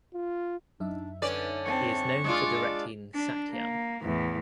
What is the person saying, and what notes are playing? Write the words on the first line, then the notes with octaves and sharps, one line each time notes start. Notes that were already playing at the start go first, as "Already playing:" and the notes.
He is known for directing "Satyam".
F4
F#2 D4 D#4 E5
D3 C#4 B4 D5
C4 A5 C#6
G#3 D4 F4 D5
D4
A#3
E2 A2